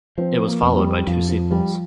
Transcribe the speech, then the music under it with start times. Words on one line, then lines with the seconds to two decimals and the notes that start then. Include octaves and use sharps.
It was followed by two sequels.
0.18 F3 C4
0.48 A#3
0.63 F2
0.72 A#3
0.77 G3
1.07 F2 F3
1.29 F3
1.51 F3 G3